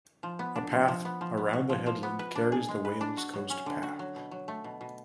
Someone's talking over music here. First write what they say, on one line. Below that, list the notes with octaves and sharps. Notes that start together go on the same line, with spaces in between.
A path around the headland carries the Wales Coast Path.
F3
B3
D4
F3
F3
B3
F3
B3
F#4
F3
F3
B3
B4
D4
G#4
G#3
B4
D4
F#4
F#3
C#4
D3
F#4
F#3
B2
F#3
A3
B2
B2